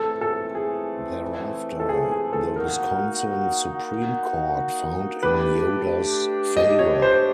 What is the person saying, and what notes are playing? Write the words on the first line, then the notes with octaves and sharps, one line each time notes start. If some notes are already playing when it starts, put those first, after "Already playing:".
Thereafter the Wisconsin Supreme Court found in Yoder's favor.
Already playing: E3 A3 C4 A4
A4
G#4
A4
G#4
G#4
A4
A#3 D#4 F#4 A#4
A3 D4 G4 B4
D#5
C#5
C5